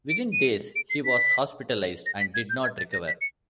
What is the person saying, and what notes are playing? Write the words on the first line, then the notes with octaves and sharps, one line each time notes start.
Within days, he was hospitalized, and did not recover.
D7
D#7
D7
C7
B6
A#6
B6
G#6
G6
G#6
A6
A#6
B6
C#7